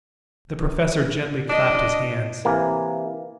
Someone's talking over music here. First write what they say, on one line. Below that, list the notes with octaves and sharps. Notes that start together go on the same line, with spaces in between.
The Professor gently clapped his hands.
D4 D#5
C3 E3 A#3